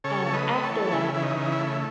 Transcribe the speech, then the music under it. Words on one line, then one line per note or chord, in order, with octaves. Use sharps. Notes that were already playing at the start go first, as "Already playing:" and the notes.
um, after that.
C#3 A4 C#5
A3
B4 D#5
A3
A4 C#5
E3
C#3 E4
E3
D#4
C#3
E4
A3